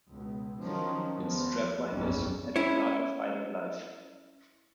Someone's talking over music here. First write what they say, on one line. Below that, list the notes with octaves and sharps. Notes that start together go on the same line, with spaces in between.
Its strapline is: "At the heart of island life".
C#2 B2
D#3 F3 F#3 C#4
E2 F3 B3
F#1 B1 E2 G#2 G3 C#4
C#4 E4 C#5